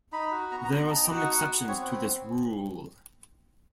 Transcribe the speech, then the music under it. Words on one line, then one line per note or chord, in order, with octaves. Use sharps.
There are some exceptions to this rule.
D#4 B5
F#4
B3 A#5
A#5
B3
A#5
D#4 A5
G5
F#4
F#5
B3
B3
C4 C#5